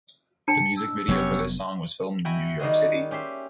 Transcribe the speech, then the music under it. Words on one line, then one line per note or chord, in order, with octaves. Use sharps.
The music video for this song was filmed in New York City.
D4 A5 C#7
E6
F1 F#2 F#3 B3 G4 C#5
E4 F#4 G5 G#5 A#5 B5
D#3 G3 A#3 F#4 G#4 D#5
C#4 G4 E5 C6